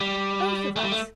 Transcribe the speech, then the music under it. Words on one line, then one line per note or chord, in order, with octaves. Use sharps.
"Both of us!"
G3
A3
G3
A3